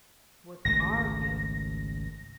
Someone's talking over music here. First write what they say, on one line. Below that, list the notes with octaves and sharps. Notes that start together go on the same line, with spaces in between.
What ARE you?
G#1 C#2 A3 A#6